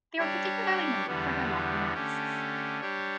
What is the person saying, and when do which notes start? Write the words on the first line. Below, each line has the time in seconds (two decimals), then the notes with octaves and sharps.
They were particularly noted for their lively masks.
0.18 G3 D4 G4 C#5
1.06 E2 D3 G3 B3
1.93 D3 A3 C#4 G4
2.81 G3 D4 G4 C#5